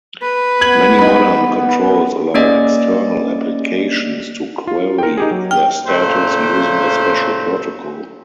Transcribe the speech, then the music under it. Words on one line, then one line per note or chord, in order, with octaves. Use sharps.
Many modern controls allow external applications to query their status using a special protocol.
B4
B3 G#6 F#7
D#4 B5
A#3 C#4 D5 D#5
F4
A#4 G5
D#4 G4 G#4
F#3
G5 F6
A#2 C#3 A3 C5